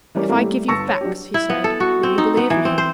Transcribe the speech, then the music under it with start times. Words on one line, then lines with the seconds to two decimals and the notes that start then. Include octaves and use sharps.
"If I give you facts," he said, "will you believe me?"
0.15 E3 G3 C#4 A#4 C#5 D5
0.29 A2 A3 A#3 C4 E4
0.41 G3 A3
0.68 G1 A5 C#6 E6 A#6 C#7
0.88 C#5
1.01 F#3 D4 G4
1.34 E4
1.50 B3
1.64 A4
1.80 F#4
2.03 C4
2.18 D#4
2.37 B3
2.50 E3
2.65 C4
2.78 C5